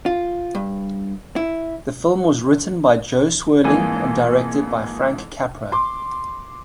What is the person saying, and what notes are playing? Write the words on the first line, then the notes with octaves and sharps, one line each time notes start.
The film was written by Jo Swerling and directed by Frank Capra.
F4
G2
E4
F2 G#2 E3 A#3 G#5
C6 D6